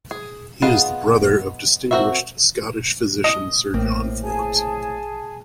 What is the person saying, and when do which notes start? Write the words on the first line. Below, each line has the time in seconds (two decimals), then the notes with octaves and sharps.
He is the brother of distinguished Scottish physician Sir John Forbes.
0.11 G#4
0.62 B3 D#4 F4 G#4 F#5
1.91 C4 C#4 F#4 A#4 E5
3.24 D#5
3.74 A1 A2 A#3 C4
4.23 G#4 G#5 A5